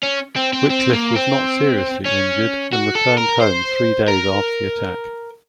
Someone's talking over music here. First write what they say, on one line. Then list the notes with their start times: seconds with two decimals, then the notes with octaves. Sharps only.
Wickliffe was not seriously injured, and returned home three days after the attack.
0.03 C#4
0.36 C4
0.53 C4
0.70 C4
0.93 A#3
1.15 C4
2.06 C#4
2.73 F#4
2.95 A4
3.17 A#4
3.40 C5
4.08 A#4